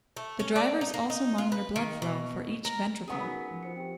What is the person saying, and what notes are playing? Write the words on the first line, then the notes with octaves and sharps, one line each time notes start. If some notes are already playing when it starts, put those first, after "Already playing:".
The drivers also monitor blood flow for each ventricle.
A3
C#4
D5
D#4
A#3
D#4
F4
B4
D#3
B2
A#4
F#3 B3 C#4 G#4 B6
D#4 F#4 A#4 B5
F3
F4 C5 C#7
C4 G4 G5